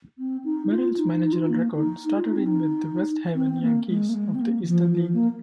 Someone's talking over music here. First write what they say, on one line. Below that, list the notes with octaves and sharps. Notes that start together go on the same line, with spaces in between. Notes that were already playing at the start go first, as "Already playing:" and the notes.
Merrill's managerial record started in with the West Haven Yankees of the Eastern League.
C4
D#4
F4
D#4
D#4
F4
D#4
A#3
D#4
F4
D#4
C4
D#4
C4
C4
A#3
G#3
A#3
G#3
C4
A#3
D#3
F3
F3
A#3